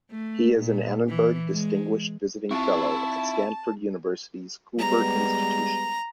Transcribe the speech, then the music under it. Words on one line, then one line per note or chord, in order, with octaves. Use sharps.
He is an Annenberg Distinguished Visiting Fellow at Stanford University's Hoover Institution.
A3
A#2
E3
G#3
C4 E4 F4 A5 C#6
G3 G#3 B3 A#5